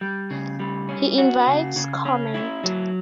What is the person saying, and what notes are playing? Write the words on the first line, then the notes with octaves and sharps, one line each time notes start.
He invites comment.
G3
C#3
G3
C#4
F#4
C#3
C#3
C#4
E4
F#3